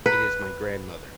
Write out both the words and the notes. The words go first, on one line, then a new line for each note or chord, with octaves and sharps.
It is my grandmother.
B4